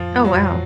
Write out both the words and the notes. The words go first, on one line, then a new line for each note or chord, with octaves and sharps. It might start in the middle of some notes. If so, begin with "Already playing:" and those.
Oh, wow.
Already playing: F2 F3 F4
G#3
F#3 F#4
F2